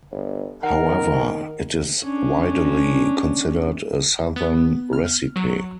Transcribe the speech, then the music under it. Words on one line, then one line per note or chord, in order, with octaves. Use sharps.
However, it is widely considered a Southern recipe.
G1
D#3 A#4 F#5
C#4 D4
B3
F6
F#3